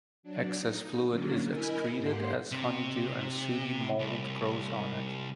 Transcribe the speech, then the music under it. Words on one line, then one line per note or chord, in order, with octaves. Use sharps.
Excess fluid is excreted as honeydew and sooty mould grows on it.
F#3 D4
D#4
D3 F#3 A#3 C#4 D4
E4 A#4 D#5 G#5 B5
G#2 A#3 G4 F#5 C6
C3
C2